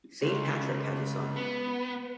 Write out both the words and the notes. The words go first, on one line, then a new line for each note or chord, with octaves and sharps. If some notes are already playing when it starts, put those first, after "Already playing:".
Saint Patrick has a son.
C#2
B3